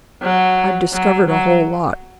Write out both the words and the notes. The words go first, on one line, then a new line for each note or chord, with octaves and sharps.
I've discovered a whole lot.
F#3
F#3
F#3